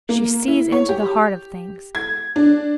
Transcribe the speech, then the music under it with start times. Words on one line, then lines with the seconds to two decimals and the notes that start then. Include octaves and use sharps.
She sees into the heart of things.
0.09 A#3
0.48 E4
0.72 C#5
0.89 G4
1.95 G#6
2.36 D4